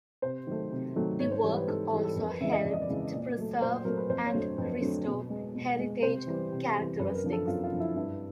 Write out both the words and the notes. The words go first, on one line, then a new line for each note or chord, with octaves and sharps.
The work also helped to preserve and restore heritage characteristics.
C3 C5
D#3 F#3 A3
C3
D#3 F#3 A3
G#2 C#5
C5
E3 G3 C#5
B4
G#2 A4
E3 G3 A4
A4
F2 A#4
B4
C#3 E3 G#3 E5
D#5
F2 D5
D#5
D5
C#3 E3 G#3
A#2
F#3 A3
A#2 C5
F#3 A3 A#4
B4
F2 C5
C#5
D3 F#3 A3
F2 B4
D3 F#3 A3
B2
G#3
B2
G#3
C3 C5
E3 G3
C3
E3 G3
F#2 B4
B4
A#4
D3 F3
A4
F#2 F4
F4
D3 F3
E4
G2 E4